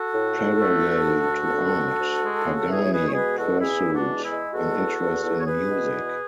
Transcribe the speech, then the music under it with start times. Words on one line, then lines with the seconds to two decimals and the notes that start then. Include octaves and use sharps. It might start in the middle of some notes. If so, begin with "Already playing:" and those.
Parallel to art, Pagani pursued an interest in music.
Already playing: F#4 A4
0.14 A2
0.37 A2
0.61 A3
0.83 D2
1.07 D2
1.30 D2
1.53 D2
1.76 D2
1.99 D2
2.23 G#3
2.46 C#3
2.68 E2 E4 G#4
2.83 C#5
2.92 G#3 G#4 B4
3.09 C#5
3.14 B2 G#4 B4
3.38 E2 F#4 A4
3.61 E2 E4 G#4
3.85 E2
3.92 D4 F#4
4.07 G#3
4.17 F#4
4.22 E4 G#4
4.31 G#3
4.54 E2 F#4 A4
4.77 E2
5.01 E2
5.23 E2
5.40 C#5
5.46 E2 G#4 B4
5.70 B2
5.93 E2